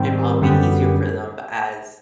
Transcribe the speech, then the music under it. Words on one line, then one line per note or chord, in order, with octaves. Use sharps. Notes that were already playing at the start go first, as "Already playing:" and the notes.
it'd probably be easier for them. But as
Already playing: G#2 D#3 G3 C4
F#2 D3 G3 B3